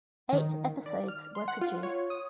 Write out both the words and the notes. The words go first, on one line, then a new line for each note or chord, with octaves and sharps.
Eight episodes were produced.
D#3
D5
F6
C6
F#5
F4
C#5
D#6